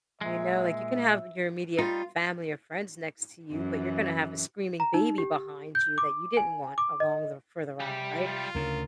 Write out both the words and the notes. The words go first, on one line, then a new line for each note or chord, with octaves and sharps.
You know, like, you can have your immediate family or friends next to you, but you're gonna have a screaming baby behind you that you didn't want along the for the ride
A#2 G#3 E5
G3 D#4 F4
F#2 E3
A#5
D#4
G4
G6
D6
G#5
D6
D#5
C3 G3 G4
F4
D2 C#3 A#4